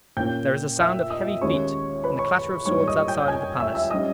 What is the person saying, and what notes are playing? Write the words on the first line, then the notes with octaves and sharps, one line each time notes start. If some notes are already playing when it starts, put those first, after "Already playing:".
There is a sound of heavy feet, and the clatter of swords outside of the palace.
A#2 A#3 C#4 G5 G6
E5 E6
D#5 D#6
D#2 D#3 G#3 C#4 C#5 C#6
B4 B5
C#5 C#6
G#2 G3 A#3 D#4 C#5 C#6
D#5 D#6
G5 G6
G#5 G#6
E5 E6
E5 E6
G3 C#4 D#5 D#6